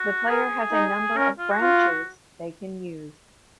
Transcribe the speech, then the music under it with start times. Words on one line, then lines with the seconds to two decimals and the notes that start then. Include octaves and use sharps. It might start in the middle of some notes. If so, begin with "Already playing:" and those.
The player has a number of "Branches" they can use.
Already playing: F#4
0.29 G#4 A#4
0.72 D#4
1.16 C#4 A#4
1.39 F4
1.51 F#4
1.61 F4